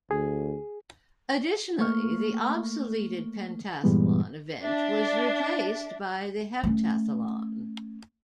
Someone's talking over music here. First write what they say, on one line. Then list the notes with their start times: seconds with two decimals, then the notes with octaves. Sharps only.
Additionally, the obsoleted pentathlon event was replaced by the heptathlon.
0.11 D2 G#4
1.78 A3 A#3 C#6 F6
3.84 G2 A#2 E3 G3 G#3 B3
4.62 D4 E5
6.64 A3 C#4